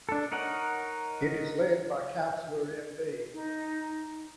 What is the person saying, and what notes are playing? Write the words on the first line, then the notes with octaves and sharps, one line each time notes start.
It is led by counselor Md.
D4 A4
D#4 A#4 C#5 F#5
D#4